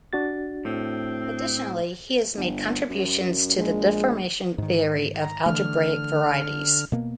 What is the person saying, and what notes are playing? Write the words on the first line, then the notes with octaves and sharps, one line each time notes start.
Additionally, he has made contributions to the deformation theory of algebraic varieties.
D4 F#4 A6
A2 C4
G1
F#2
A#1 G#3
G#2 D#3
A#5
D3 E3 A3 F6
B2 A#3 B3